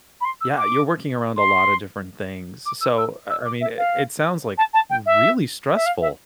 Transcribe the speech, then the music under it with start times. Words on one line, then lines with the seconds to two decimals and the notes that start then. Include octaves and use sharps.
Yeah, you're working around a lotta different things, s so, uh, I mean, i it sounds, like, really stressful,
0.21 B5
0.25 C6
0.41 E6
0.57 D6
1.36 C6
2.66 D6
2.81 E6
2.98 E6
3.29 E6
3.45 D6
3.61 E5
3.78 F5
4.58 A5
4.73 A5
4.90 G5
5.06 E5
5.75 E5
5.86 F5
6.01 E5